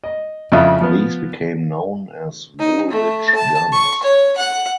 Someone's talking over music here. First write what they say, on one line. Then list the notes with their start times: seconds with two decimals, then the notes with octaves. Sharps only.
These became known as Woolwich guns.
0.04 D#5
0.52 F2 C#3 E4 F4 E5 D#6
0.81 F3 B3
2.59 D#4
2.90 A3
3.35 A5
3.72 C#6
4.03 C#5
4.37 F#5